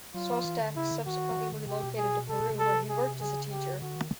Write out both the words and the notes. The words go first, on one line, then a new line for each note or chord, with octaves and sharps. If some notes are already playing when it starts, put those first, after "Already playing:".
Sostak subsequently relocated to Peru where he worked as a teacher.
F#3 F4
F3
E3
D3
C#3 E4
D3
D#3 F#4
E3
D#3
D3
C3 G4
B2
G#4
C3 A4
B2
C3
A4
G#4
C#3 G#4
G4
D3 F#4
D#3